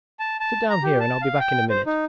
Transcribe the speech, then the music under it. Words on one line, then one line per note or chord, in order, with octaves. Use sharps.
'Sit down here and I'll be back in a minute.
A5
A5
A#5
G4
A5
F5
G5
C5
D#4